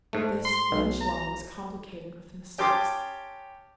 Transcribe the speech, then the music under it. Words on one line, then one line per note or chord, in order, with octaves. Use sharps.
This Lynch law was complicated with mistakes.
G#2 A3
C6 C7
B1
A#5
C#4 G4 A5 C6 D6 D#6